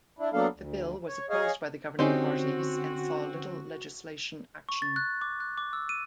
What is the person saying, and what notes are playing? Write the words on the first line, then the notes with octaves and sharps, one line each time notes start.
The bill was opposed by the governing parties and saw little legislation action.
D4 E4
F#3 A#3 B3 D4 A4 F5
D2
C#5
G#4 C#5 D#5 F5 G#5
D3 C4 C#4 D#4 F#4 G4 C5
C#6
A6
F#6
D6
F#6
D6
E6
D#7